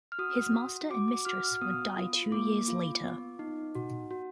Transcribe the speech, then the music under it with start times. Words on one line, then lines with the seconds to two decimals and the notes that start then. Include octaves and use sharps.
His master and mistress would die two years later.
0.12 F6
0.19 F#4 D#6
0.55 F#4
0.90 F#4 D6
1.08 D6
1.25 F#4 F6
1.44 F6
1.62 B3 D#6
1.97 F4
2.32 A#3 D6
2.68 F4
3.04 B3
3.39 D#4
3.75 F#4
4.11 F#4